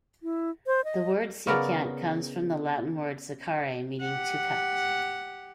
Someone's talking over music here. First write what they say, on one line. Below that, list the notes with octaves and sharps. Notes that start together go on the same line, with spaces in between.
The word "secant" comes from the Latin word "secare", meaning "to cut".
E4
C5
D#5
C#3 B3 A#4 D5
G4 F#5